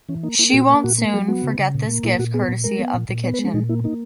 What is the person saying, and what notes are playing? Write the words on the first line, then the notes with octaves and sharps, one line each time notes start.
She won’t soon forget this gift courtesy of the kitchen.
E3 C#4
A#3 D#4
A#3 E4
G#4
A#2 F#4
A#3
A#2 F#4
A#3
F#3 G#4
B3 F#4
C#3
C#3
A#2
A#3
A#2 E4
A#2 F#4
B3 G#4
A#2
G#3 A#4
B3
A#2
A#2
B3 C#5
B4
G#3
C#4
A#2 D#4
A#3 E4
A#3 D#4